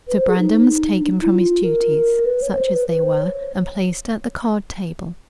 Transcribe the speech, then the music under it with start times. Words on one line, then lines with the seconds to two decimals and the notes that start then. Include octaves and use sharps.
So Brandon was taken from his duties, such as they were, and placed at the card table.
0.08 B4
0.17 C5
0.29 G#4
0.39 D#4
1.01 D4
1.22 E4
1.32 F4
1.63 A#4
2.25 B4
2.42 C#5
2.53 C#5
2.57 C5
2.73 B4
2.88 B4
3.04 C5
3.19 C#5